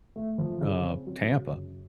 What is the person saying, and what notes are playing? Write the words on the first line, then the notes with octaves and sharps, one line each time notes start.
uh, Tampa;
A3
F3
C#3
C4
F#3
C#3
F#2